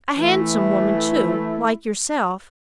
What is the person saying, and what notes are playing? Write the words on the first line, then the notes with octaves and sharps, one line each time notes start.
A handsome woman, too, like yourself.
E3 A3 E4